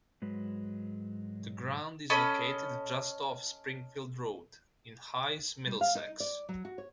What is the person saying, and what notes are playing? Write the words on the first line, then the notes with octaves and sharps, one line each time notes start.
The ground is located just off Springfield Road in Hayes, Middlesex.
G#2 F#3 G#3 B4
C#4 A4 D#5 B5
G3
F5
D#4
D5
F#3
F#4
C#5